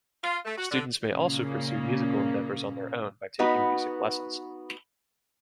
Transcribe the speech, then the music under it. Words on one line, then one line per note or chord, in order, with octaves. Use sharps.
Students may also pursue musical endeavors on their own by taking music lessons.
F4
A3
F#4
D3
A#2 C#3 A#3
B3 D#4 F#4 B4